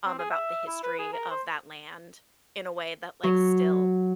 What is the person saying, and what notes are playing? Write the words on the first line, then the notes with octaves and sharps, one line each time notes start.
um, about the history of that land in a way that, like, still
C4
G#4
E5
E4
B4
G#4
A#4
C5
F#3